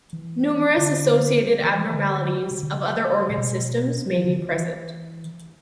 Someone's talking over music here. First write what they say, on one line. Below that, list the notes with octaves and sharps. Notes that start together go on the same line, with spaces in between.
Numerous associated abnormalities of other organ systems may be present.
E3
D3
E3
E3
D3
C#3
D3
C#3
A#2
B2
E3
D3
E3
E3